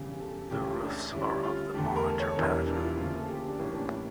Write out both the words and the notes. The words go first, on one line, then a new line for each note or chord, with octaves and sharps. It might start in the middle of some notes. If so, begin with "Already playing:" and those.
The roofs are of the monitor pattern.
Already playing: E1 E2 C#3 G3
A4
C#2 C#3 E3 A3 C#4 G4
E4
D4
D2 D3 G3 C#4 E4
F4
E2 D3 A3 G4
A#4
A4
C#5
A4
E1 E2 E3 G3 A#4
D4
F4
E4
D2 C#3 F3 A#3 F4
A4
G4
D4
A1 A2 G3 A#3 C#4 E4
D4
E4